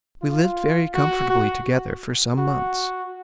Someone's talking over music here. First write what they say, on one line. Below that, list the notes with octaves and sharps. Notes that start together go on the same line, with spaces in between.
We lived very comfortably together for some months.
F4
F#4
F#4
F#4